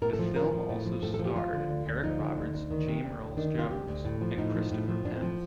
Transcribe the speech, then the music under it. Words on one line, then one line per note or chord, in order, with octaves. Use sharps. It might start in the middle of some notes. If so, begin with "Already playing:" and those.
The film also starred Eric Roberts, James Earl Jones and Christopher Penn.
A2 A#4
A4
F3
A2 A#4
F3
A2
F3
A2 A4
A4
F3
G4
F3 F4
D3
D2
D2
F3 D#4
D3
D2
D2
D#3
C3
D2
D2
D#3 D4
C3 F4
D2 G4
D2
A2
F3
A2 D#4
F3
A2
F3
A2 D4
C4
F3